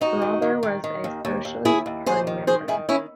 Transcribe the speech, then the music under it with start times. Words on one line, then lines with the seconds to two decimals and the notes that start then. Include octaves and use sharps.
Reuther was a Socialist Party member.
0.01 D#2 D#4 F#4
0.22 D#3
0.42 D#3
0.63 D#3
0.84 D#3
1.04 D#2
1.25 D#2
1.45 D#2
1.65 D#2 E4 G#4
1.86 D#2
2.06 D#2 G#4 C5
2.27 D#3
2.47 D#3 G#4 C5
2.68 D#3 E4 G#4
2.89 D#3 C#4 E4